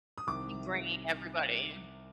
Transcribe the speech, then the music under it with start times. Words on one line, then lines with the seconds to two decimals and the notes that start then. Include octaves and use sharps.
you bringing everybody.
0.18 D#6
0.27 C2 C3 D#3 D6